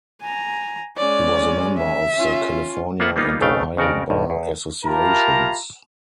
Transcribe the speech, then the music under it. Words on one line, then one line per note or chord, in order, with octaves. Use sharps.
He was a member of the California and Ohio Bar Associations.
G#5 A#5
G#3 C#4 D5
E5
C#4 F4
A#3 B3 F4 E5 F#5
G3 A#3 B3 D#4 F4
B1 F2 C#3 A3 F5 G5
F2 C#3 F#4 A#4 D5
B1 G2
E2
E4 F4 G4 A#4 A5 A#5